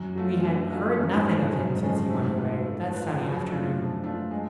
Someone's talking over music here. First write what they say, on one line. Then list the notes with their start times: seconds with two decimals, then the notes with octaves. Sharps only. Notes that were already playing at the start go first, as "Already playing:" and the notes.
We had heard nothing of him since he went away, that sunny afternoon.
Already playing: F#2
0.15 F#3 A3 F4
0.43 D3
0.71 F#3 A3 F4
0.98 F#2 C#3
1.13 G#2
1.27 F#2 F3 G#3 C#4
1.41 F#2
1.54 G#2 C#3
1.70 G#2
1.82 F#2 F3 G#3 C#4
2.06 F#2
2.10 G#2 A3
2.38 F4 B4
2.66 A3
2.93 F4 B4
3.20 F#2 F3
3.48 A3 D4 F4
3.76 F3
4.04 A3 D4 F4
4.31 G#3